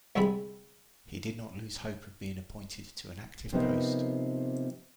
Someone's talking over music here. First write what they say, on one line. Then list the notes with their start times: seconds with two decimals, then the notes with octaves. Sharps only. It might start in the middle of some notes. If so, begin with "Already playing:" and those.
He did not lose hope of being appointed to an active post.
0.16 C2 D3 G3 G#3 E5 B5
3.53 C3 F3 B3 D#4 A#4